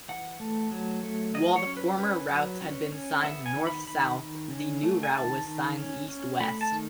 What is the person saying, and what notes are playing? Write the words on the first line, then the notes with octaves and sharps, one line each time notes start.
While the former routes had been signed north-south, the new route was signed east-west.
E3 F#5
A3
F#3
A3
F#3 D#5
C#5
C#4
B4
C#4 B4
F#3
C#4
C#4
B3 E5
G#5
D#3
B5
D#3 B5
D#3
C#4
A3
G#5
D#3 A5
D#3
C#4
C#4
A3 B5
A5
D#3